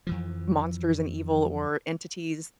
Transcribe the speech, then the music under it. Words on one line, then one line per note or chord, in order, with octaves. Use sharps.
m monsters and evil or entities,
F2 E3 F3